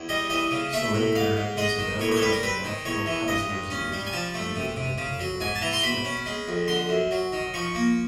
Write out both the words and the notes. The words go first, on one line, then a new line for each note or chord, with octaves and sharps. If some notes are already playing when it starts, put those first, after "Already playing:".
Selinker is a member of the National Puzzlers League under the nickname "Slik".
Already playing: E2
G3 D#5
E3 D#5
C#3
A3 E5
A2
G#2 F5
G#2
G#3 D#5
D#3
A2 C#5
C#5
C5
G3 B4
A#4
C4 B4
D#3
E2 C#5
E3
G2 D#5
G2
C#4
G3
G#5
F3 A5
A3
C3
C3
C#3
F#3
G#2 G#5
A5
E3 A#5
C6
B2 B5
C#4
G#3
F2
D3 C6
F#2
F#3
D#3
F3 C#6
A#3